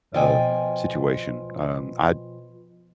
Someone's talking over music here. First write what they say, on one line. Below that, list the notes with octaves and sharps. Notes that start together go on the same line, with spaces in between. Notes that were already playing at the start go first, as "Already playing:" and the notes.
uh, situation. Um, I
B2 F3 G5 G#5